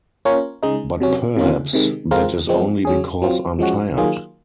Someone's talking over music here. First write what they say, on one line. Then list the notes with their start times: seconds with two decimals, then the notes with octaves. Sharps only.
But perhaps that is only because I’m tired.
0.25 A#3 C#4 F4 A#4 C#5
0.63 C#3 G#3 D#4
1.00 C3 F#3 C#4
1.36 C3 D#3 A#3 C#4 F4
1.73 C3 D#3 G#3
2.11 G#3 C4 F4 A#4
2.48 F3 G#3 C4
2.85 F#3 C#4 G#4
3.22 F#3 C4 F4
3.59 F3 G#3 C#4 F#4
3.96 D#3 F#3 A#3 F4 G#4